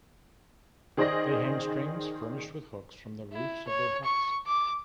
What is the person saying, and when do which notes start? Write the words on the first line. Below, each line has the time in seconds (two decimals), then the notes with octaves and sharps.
They hang strings furnished with hooks from the roofs of their huts.
0.97 D#3 G#4 C5 D5 D#5 A#6
3.33 E4
3.68 C#5
4.04 C#6
4.47 D6